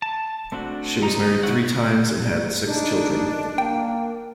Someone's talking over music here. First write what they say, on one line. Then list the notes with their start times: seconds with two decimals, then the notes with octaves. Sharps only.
She was married three times and had six children.
0.02 A5
0.52 A3 C4 D4 F#4
1.01 G3 D#4 A#5
1.20 D#5
1.43 C4 E4 C#5 F#5
2.66 D4 D#4
3.58 A#3 G5